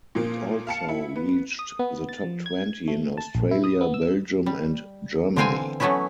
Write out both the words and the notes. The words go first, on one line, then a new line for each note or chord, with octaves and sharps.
It also reached the top twenty in Australia, Belgium, and Germany.
A#2 F3 A#3
F5 A5 C#7
E4
B3
D#6
B3
A6
F3
G#6
A3
A5
A#1
E4
D#6
B3
E6
G3
D3 E3 C4 F5 G5 G#5
E3 F#3 A3 B3 C#4 E4